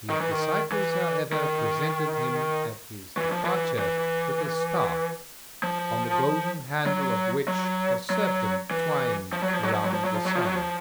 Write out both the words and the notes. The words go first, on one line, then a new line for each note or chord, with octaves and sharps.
His disciples, however, presented him at his departure with a staff, on the golden handle of which a serpent twined round the sun.
D#3
E3
D#3
E3
D#3
E3
F3
E3
E3
F3
F#3
F#3
F#3
E3
F3
F#3
F3
F#3
F3
F#3
F3
F#3
F3
F#3
F3
F#3
F3